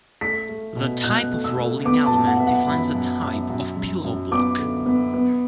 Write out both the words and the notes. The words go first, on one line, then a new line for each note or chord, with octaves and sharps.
The type of rolling element defines the type of pillow block.
A3 B6
A3
B2
B2 F#6
A3
E6
A3
B3 D6
A5
F#2
F#5
B3 E5
F#5
F#2 B5
F#2
F#2
F#2
F#2
F#2
B3 D6
D3
B3
B3